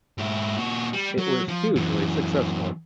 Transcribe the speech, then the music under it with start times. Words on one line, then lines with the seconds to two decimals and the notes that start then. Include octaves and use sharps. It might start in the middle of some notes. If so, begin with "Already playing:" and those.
It was hugely successful.
0.18 G#2 E4
0.57 A#2 F#4
0.93 G3
1.18 F#3
1.48 F3
1.76 F#2 E3